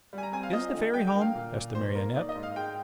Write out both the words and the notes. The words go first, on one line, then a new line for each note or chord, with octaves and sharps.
"Is the Fairy home?" asked the Marionette.
G3 G#5
A#5
C4 G#5
F5
F4 D#5
D3
G3 G5
G5
A#3
F5
A#2
A#2
D#3 C5
A#3 A#4
D#4 D5
D#5
G#2
F5
G#3 G5